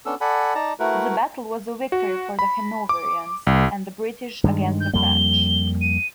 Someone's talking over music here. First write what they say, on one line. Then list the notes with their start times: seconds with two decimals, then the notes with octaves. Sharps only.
The Battle was a victory for the Hanoverians and the British against the French.
0.06 B3 C#4 D4 A4 E6
0.21 A4 D5 F#5 G#5 B5
0.55 D#4 D5 A5 A#5
0.80 A3 E4 F#4 A#4 B4
1.92 F#4
2.39 B5
2.89 D6
3.47 C2
4.44 G2 D#3 G#3
4.80 G6
4.93 F2 G3 A#3 G7
5.80 D#7